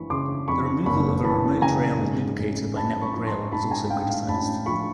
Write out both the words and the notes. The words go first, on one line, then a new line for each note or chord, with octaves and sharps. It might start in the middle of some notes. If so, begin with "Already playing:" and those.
The removal of a remote rail lubricator by Network Rail was also criticised.
Already playing: F#1 E3 B5 C#6
C#3 C6 D6
F2 B5 C#6
F#1 B5 C#6
E3 A5 B5
C#3 G#5 A#5
G#2
A1
A1 A5 B5
B5 C#6
F3
A#5 C6
G#2 A5 B5
G#5 A#5
A1 F5 G5
F5
A1 A5 B5
F3 B5 C#6